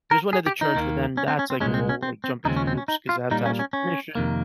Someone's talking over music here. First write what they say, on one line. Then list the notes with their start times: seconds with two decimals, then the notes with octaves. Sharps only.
there's one at the church, but then that's like a whole like jumping through hoops 'cause I have to ask permission
0.11 A#4
0.33 G#4
0.46 G4
0.61 D#4
0.75 D#2 D#3 A#3
1.17 C#4
1.28 C4
1.39 C#4
1.50 C4
1.60 C2 A#2 G#3 C#4
1.74 C4
1.89 C#4
2.03 C4
2.24 C4
2.45 D#2 C#3 F3 G#3 C4 D#4
2.57 C#4
2.67 C4
2.77 C#4
2.88 D#4
3.09 F4
3.31 A#2 G3 A#3 D#4
3.46 C#4
3.59 C#4
3.73 C#4
4.15 F2 C3 D#3 A#3